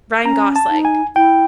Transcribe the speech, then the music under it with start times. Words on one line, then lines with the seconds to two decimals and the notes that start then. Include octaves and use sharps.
Ryan Gosling.
0.25 C#4 A#5
0.56 A5
0.70 D#4
0.85 G#5
1.16 E4 G5